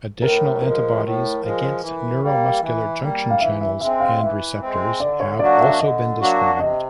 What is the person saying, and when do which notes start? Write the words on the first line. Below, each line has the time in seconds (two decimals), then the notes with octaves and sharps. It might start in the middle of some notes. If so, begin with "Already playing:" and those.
Additional antibodies against neuromuscular junction channels and receptors have also been described.
0.22 A2 A#4
0.62 F3 G#3 A#4
1.02 A2
1.41 F3 G#3
1.81 E3
2.21 G3 A#3
2.61 E3
3.01 G3 A#3
3.30 F5
3.40 E3 E5
3.61 E5
3.81 G#3 C4 E5
4.00 F5
4.20 E3 E5
4.61 G#3 C4
5.00 D3 D5
5.20 C#5
5.39 F#3 A#3 D4 F#4 D5
5.60 E5
5.80 D3 D#5
6.20 F#3 A#3 D4 F#4
6.59 C3 D#5